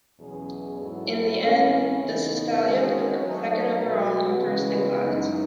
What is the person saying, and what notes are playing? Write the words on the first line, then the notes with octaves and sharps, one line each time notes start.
In the end, the Cistitalia took second overall and first in class.
E2 B2 F#3 C#4 G#4
G#2 F#3 B3 E4 A4
A2 E3 G#3 C#4
E2 C#3 E3 B3 D#4
D#3 G#3 C#4 F#4 C#5
F#3 A3 D#4
B2 F#3 B3 F#4
C#3 E3 G#3 B3
F#2 E3 G#3 D#4